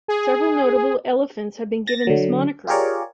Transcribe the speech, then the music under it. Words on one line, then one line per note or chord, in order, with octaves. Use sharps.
Several notable elephants have been given this moniker.
G#4
A6 A#6
D3 F#3
F4 G4 G#4 A#4 C#5 D5